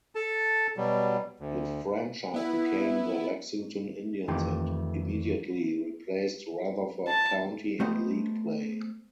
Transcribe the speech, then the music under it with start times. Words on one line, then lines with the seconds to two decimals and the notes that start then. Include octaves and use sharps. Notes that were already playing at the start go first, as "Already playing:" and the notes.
The franchise became the Lexington Indians and immediately replaced Rutherford County in league play.
0.15 A4 A5
0.77 B2 F#3 G3
1.40 D2
2.34 B3 E4
4.28 F2 D#3 E3 A3 G4 C6
7.08 A5
7.80 A3 B3 G4 C5 D#5